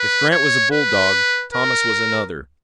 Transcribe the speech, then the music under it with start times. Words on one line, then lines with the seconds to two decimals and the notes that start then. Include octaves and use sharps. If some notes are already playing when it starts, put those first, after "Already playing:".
If Grant was a bulldog Thomas was another.
Already playing: B4
0.31 C#5
0.72 B4
1.54 A#4